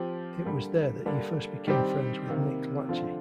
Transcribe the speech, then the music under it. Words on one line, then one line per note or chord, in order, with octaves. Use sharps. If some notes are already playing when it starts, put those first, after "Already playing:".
It was there that he first became friends with Nick Lachey.
Already playing: F3 C4 G4
D3 G3 A#3
D3 G3 A#3 D4
D#3 G3 C4 G4
C3 D#3 A#3
D3 F3 C4 F4